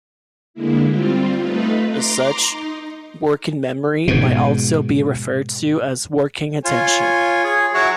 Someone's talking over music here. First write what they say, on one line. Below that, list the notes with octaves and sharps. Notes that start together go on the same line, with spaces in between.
As such, working memory might also be referred to as "working attention".
D3 G#3 A#3 E4
G3 C4 F4
A3 D#4 F4 B4
A#5 C6 D6
D#4
G#2 B2
F4 C#5 G#5
G#4
F#3 E4 F#4 C#5